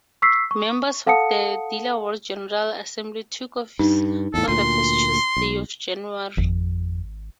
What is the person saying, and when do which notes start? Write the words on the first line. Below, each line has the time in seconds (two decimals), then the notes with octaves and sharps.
Members of the Delaware General Assembly took office on the first Tuesday of January.
0.22 C#6 E6 B6 C7
0.51 C#6
1.06 A4 F5 F#5 A5 D#6 C#7
3.79 G2 D#4
4.34 E2 A2 A4
4.48 D2 A#2 C6
5.37 B1
6.37 G#1 F2